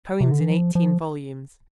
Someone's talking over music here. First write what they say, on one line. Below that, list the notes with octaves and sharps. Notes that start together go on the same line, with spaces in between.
Poems in eighteen volumes.
C3
D3
E3
F3
F3